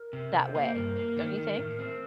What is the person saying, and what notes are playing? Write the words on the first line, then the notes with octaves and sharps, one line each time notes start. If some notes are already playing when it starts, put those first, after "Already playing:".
that way, don't you think?
Already playing: A#4
C3
C3 C5
A#3
G2 A#4
A#3
D#3
D#3
A2
C4